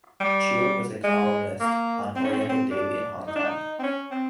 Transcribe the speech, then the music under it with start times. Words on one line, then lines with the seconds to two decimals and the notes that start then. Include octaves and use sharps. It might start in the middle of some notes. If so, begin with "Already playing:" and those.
Chua was a columnist on "Oriental Daily" in Hong Kong.
0.20 G3
1.04 G#3
1.60 A#3
2.16 C4
2.24 C#4
2.33 C4
2.40 C#4
2.49 C4
2.71 D4
3.27 D#4
3.36 D4
3.45 D#4
3.79 C4
3.83 C#4
4.11 C4